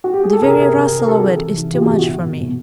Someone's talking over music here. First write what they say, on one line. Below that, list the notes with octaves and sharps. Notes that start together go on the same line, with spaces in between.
The very rustle of it is too much for me.
F#4
G4
G#4
A4
C3 G#4 A#4
C3
C3
C3
A#4
C3 G4 A4
F#4 G#4
E3
C3
E3
B2 F4 G4
F#4 G#4
B2 F4 G4
E4 F#4
B2
B2
B2